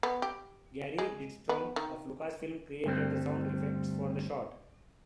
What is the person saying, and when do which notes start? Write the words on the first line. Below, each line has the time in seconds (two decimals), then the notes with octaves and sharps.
Gary Rydstrom of Lucasfilm created the sound effects for the short.
0.03 B3
0.22 G4
0.98 G#3
1.49 B3
1.76 D#3
2.85 D2 G2 G3 C4